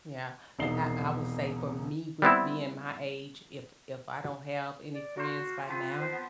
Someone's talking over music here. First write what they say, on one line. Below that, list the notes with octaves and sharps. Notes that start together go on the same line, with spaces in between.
Yeah. But I I would say for me, with being my age, if if I don't have any friends by now,
E1 C2 D#4 C7 G7
G3 B3 C4 E4
D5
A#3 F#4 C5
F3 C4 F4 B4
C5
B3